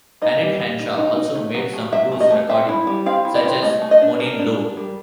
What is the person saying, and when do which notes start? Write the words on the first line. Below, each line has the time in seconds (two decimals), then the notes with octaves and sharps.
Annette Hanshaw also made some blues recordings, such as "Moanin' Low".
0.22 D#4 D#5
0.41 G3
0.60 G3
0.79 D#4
0.98 D#4
1.17 D#4
1.35 A3
1.54 F#3
1.73 A3
1.92 F#3 E5
2.12 A3
2.20 D#5
2.31 A3
2.49 C4 E5
2.69 E4
2.87 G3
3.06 C4 F5
3.25 E4
3.35 D5
3.44 C4
3.63 A3 D#5
3.82 A3
3.91 D#5
4.01 D4
4.20 D4 A#4
4.39 D4
4.58 D4
4.77 G3